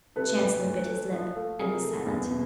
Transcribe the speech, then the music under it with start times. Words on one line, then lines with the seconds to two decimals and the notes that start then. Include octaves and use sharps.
The Chancellor bit his lip, and was silent.
0.16 C3 A4 B4
0.40 D2
0.64 D2
0.88 A3
1.12 F3
1.36 A3
1.59 C3 G#4 A#4
1.83 A3
2.07 E2
2.30 B2